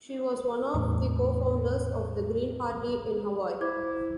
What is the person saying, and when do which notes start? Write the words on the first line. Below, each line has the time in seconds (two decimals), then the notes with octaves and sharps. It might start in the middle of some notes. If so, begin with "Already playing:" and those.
She was one of the co-founders of the Green Party in Hawaii.
0.75 E2 A2
3.61 E4 C5 D6 G#6